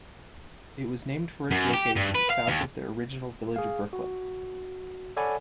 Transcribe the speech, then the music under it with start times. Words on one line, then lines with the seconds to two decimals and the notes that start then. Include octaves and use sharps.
It was named for its location, south of the original Village of Brooklyn.
1.51 F#2
1.73 G4
1.96 G2
2.15 B4
2.30 F5
2.49 D#2
3.56 G#4 F5
3.93 F#4
5.17 A4 C#5 D5 F#5 G#5 B5